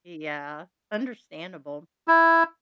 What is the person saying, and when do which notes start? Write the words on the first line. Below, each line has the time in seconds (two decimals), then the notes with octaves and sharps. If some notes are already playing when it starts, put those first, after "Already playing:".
Yeah, understandable.
2.08 E4